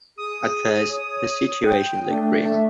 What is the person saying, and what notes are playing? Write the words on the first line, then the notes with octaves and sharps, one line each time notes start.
At first the situation looked grim.
G#4 D#6
C#5
G5
A3 D4
A3 E5